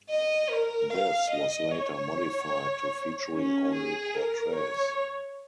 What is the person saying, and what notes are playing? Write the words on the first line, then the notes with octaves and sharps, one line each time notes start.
This was later modified to featuring only portraits.
D#5
A#4
F5
D#5
C#5
C#4
G#4
A#4
C#5